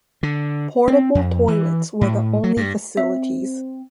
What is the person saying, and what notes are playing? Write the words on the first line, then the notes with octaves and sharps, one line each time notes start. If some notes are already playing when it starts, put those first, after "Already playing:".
Portable toilets were the only facilities.
D3
C4
F2
E3
A2
F#3
G2
C4 E5